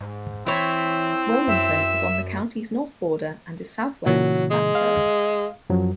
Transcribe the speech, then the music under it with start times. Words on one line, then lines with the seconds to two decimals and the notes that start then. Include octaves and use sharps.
Wilmington is on the county's north border and is southwest of Plattsburgh.
0.01 G#2
0.47 E3 C4 E4 C#5
1.48 F#2 E5
4.06 A#2 C#3 E3 F#3
4.51 G#3
4.75 F5
5.70 F#2 F3 F#3